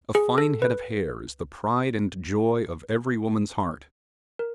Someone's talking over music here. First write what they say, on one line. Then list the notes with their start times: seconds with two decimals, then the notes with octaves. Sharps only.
A fine head of hair is the pride and joy of every woman's heart.
0.15 G#4
0.38 A4
0.62 B4
4.39 A#4